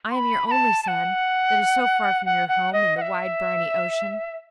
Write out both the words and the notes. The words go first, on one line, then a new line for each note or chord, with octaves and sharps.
I am your only son, that is so far from your home, in the wide briny ocean.
C6
B5
B5
A5
A5
F#5
F#5
F#5
D#5
F#5
E5